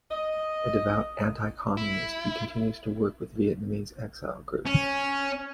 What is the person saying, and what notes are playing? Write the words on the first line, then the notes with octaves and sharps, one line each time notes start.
A devout Anti-Communist, he continues to work with Vietnamese exile groups.
D#5
E4
C#4